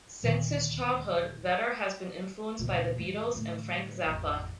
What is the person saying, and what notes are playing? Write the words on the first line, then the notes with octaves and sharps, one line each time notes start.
Since his childhood, Vetter has been influenced by The Beatles and Frank Zappa.
D#1 D2 A#2 D#3
C#2 A#2
D#2 G#2
A2 D3
A1 F2